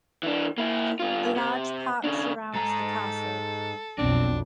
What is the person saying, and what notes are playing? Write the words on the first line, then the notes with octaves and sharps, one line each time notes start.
A large park surrounds the castle.
E3 D4
A#3 E4
G2 F4
C3
C#3 D4
G#2 A4 A#5
B1 F2 C4 D4